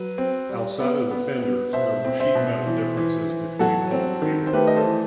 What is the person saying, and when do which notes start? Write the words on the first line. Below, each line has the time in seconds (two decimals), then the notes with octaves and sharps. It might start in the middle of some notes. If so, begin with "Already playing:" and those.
Outside of the fenders, there were sheet metal differences between all the vehicles.
Already playing: F#3 B4
0.18 C4
0.49 G3
0.80 B3
1.11 B3
1.42 B3
1.73 B2 C5 E5
2.05 C4
2.19 C5 E5
2.35 B2
2.66 E3
2.97 E3
3.29 E3
3.59 F#3 F#4 A4
3.91 C4
4.22 D#3
4.47 C5
4.53 A3 G4 B4
4.67 D#5
4.76 A4 C5
4.84 E3